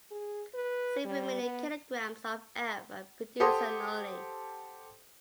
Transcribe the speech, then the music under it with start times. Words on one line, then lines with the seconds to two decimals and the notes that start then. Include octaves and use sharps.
Several million kilograms of F are produced annually.
0.11 G#4
0.54 B4
1.05 G3
1.42 B3
3.40 G4 A4 C5 F#5 C6 D#6